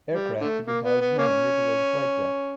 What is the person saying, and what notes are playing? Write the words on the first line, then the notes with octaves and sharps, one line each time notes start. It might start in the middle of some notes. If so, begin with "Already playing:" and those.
Aircraft could be housed in the hangar below the flight deck.
G3
D3 A3
A#3
B3
B3
A#3 C#4